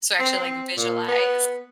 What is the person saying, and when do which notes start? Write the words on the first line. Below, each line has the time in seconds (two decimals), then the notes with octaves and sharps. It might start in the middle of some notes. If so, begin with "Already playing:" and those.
So actually, like, visualize
0.20 C4
0.37 C4
0.77 A#2
1.08 B3